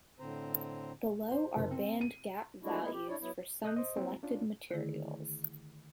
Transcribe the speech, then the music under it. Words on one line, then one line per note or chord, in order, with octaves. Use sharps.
Below are band gap values for some selected materials.
A2 D3 C4 C5 A#5
C5
F#1
C4
D#7
F3 G#3 A3 D4 E4 F#4
G#3 A#3 B3 E4
G4
D4 E4 C#5 D5
F#3 B3 E4
A4 D#5 D#6 F#6 G6
C5 D#5
F#3 A#3 C4 E4 F#4
C#4 D4 F4
D3 D#3 A3 E4 G#4